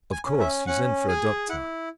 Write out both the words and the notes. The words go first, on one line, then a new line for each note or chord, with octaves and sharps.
"Of course you sent for a doctor?"
G#5
C#4
E5
C#4 F#5
G#4 G#5
E4 F#5